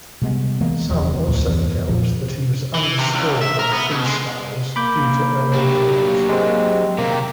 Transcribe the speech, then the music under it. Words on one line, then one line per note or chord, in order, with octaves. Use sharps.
Some also felt that he was underscored on freestyles due to early draws.
C3 G3 G#3 B3
E3 G#3 A#3 B3
E1 E2 C3 F#3
D2 A2
E2 G2 E3 C4
F2 A#2 F3
E3
C3
C#2
E5
A#4
B3
B2
G#3
A#3 B5 D6 G6
F#3 D4 G4
G#3 C4
C3 D#3 A#3